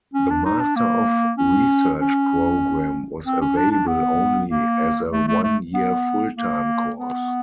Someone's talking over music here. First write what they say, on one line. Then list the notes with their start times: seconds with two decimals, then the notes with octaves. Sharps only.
The Master of Research programme was available only as a one-year full-time course.
0.14 C#4
0.31 D4
0.46 D#4
0.61 D4
0.76 A#3
1.38 C#4
2.02 C#4
3.26 C4
3.42 C#4
3.57 D4
3.72 D4
3.88 B3
4.50 A#3
5.13 A3
5.28 A3
5.44 A3
5.74 B3
6.37 A#3
6.98 B3